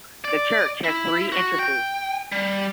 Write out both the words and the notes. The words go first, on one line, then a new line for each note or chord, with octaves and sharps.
The church has three entrances.
D5
E4
F#4
G5
G3